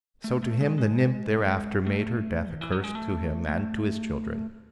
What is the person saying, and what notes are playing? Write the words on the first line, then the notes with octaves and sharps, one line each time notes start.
So to him the nymph thereafter made her death a curse, to him and to his children.
A3
A3
G#3
G#3
A3
D#3
E3
F#3
G#3
A3
A3